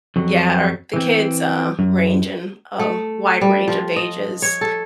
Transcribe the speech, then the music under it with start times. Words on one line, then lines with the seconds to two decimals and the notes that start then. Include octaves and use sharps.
Yeah, our the kids, uh, range in a wide range of ages.
0.16 F2 F#3
0.93 E3 C4
1.79 F#2
2.79 A3
3.41 G3
3.68 F3
3.96 D#5
4.42 C#5
4.61 A4